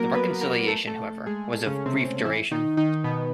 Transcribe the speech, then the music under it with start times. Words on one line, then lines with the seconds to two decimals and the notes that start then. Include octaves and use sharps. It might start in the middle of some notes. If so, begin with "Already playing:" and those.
The reconciliation, however, was of brief duration.
Already playing: F#3 A#3 F#4 A#4
0.15 B3 B4
0.41 A#3 A#4
0.67 A3 A4
0.87 A3 A4
1.26 G#3 G#4
1.66 C#3 C#4
1.86 C3 C4
2.25 E3 E4
2.51 D#3 D#4
2.77 D#3 D#4
3.04 B2 B3